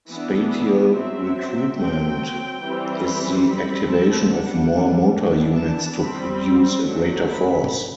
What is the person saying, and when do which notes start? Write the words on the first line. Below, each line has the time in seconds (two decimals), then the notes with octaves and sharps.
Spatial recruitment is the activation of more motor units to produce a greater force.
0.09 E3 B3 D4
0.94 F#3 C4 E5
1.78 F#3 C4 G5
2.62 E3 G3 C4
3.05 B5
3.46 G3 C4 B5
3.89 A5
4.31 G3 D4 F#5
5.15 E3 B3 D4
5.58 A5
6.00 G3 C4 B5
6.84 F#3 A3 D4
7.27 B5